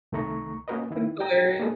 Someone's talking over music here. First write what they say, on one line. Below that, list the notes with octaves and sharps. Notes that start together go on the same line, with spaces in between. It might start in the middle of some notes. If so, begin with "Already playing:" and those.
That's hilarious.
C2 D#3 A3 A#5 C#6
A#3 C#4 F#4 A#4 B4 D#5
D#3 E4
G5 A#5
A#3 B3 G#4 A4 B4